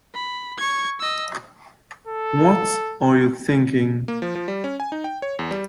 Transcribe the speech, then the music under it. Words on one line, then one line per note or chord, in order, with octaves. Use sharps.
What are you thinking?
B5
C#6 G#6
D#5 E6
A4
A#3
F3
F3
G3
C#4
G#5
D#4
G5
C#5
E2
G3